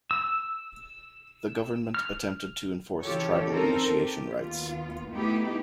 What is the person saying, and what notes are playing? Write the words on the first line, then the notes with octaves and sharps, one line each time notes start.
The government attempted to enforce tribal initiation rites.
E6
F6
C#3 E3 F4 G4 A4 C#5
C4 D#4 A4 A#4 C5
G4
D#2 B3 F4
A3 B3 D#4 E4 G4